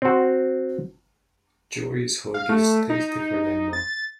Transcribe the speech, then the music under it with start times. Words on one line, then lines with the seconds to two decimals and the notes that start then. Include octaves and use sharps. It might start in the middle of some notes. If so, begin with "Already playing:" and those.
Joey's hoagies taste different anymore.
0.02 C4 F#4
2.34 F5
2.49 A3
2.90 D#4
3.73 A6